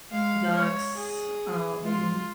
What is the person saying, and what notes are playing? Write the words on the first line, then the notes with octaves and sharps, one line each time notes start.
ducks, um,
G#3 F5
C#5
G#4
G#3 F4